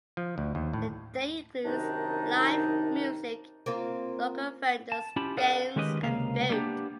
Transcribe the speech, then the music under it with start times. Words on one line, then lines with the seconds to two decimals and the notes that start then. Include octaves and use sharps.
The day includes live music, local vendors, games, and food.
0.17 F3
0.38 D2
0.55 D#2
0.73 A2
1.65 F#2 C3 D#3 D4 D#4
3.66 A#3 C4 F4
4.92 A5
5.16 C#4 E4 F4 G4 A5 B5
5.37 G#4 A#4 B4 D5 F5 F#5
5.76 D#3 G#3 C#4 G4 B4 D#5
6.03 C#2 C3 A#3 F5
6.50 G3 A#3 B3 D4 G4